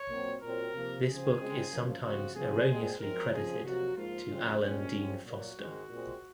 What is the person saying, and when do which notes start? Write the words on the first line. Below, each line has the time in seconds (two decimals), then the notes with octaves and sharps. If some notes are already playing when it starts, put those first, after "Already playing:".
This book is sometimes erroneously credited to Alan Dean Foster.
Already playing: C#5
0.10 A#2 F#3 C4
0.42 A#2 F#3 C4 A#4
0.74 C3 F3 A#3
1.06 C#3 F3 C4 G#4
1.39 C#3 G#3 C4
1.70 F#2 F3 A#3
2.03 C#3 F3 C4 F#4
2.35 C3 F3 C4 G#4
2.68 A#2 G#3 C4
3.00 F#2 F3 G#3 C4 A#4
3.32 F2 C#3 F3 G#4
3.64 F2 C3 F#3 A#3 F#4
3.96 G#2 F3 A#3 F4
4.28 F#2 C#3 G#3 C4
4.60 A#2 G#3 C4 C#4
4.92 F#2 F3 G#3 C4
5.25 A#2 F#3 A#3 F#4
5.57 G#2 D#3 G#3 C4
5.89 A#2 G#3 C4